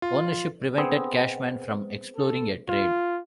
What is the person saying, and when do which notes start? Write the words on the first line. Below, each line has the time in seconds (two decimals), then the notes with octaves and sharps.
Ownership prevented Cashman from exploring a trade.
0.02 F4
0.78 B3 C4 G#4
2.17 A4
2.68 F4